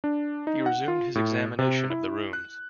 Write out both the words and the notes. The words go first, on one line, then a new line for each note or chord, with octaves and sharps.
He resumed his examination of the rooms.
D4
D#4
F#5
F4
A2
C3
E4
F#6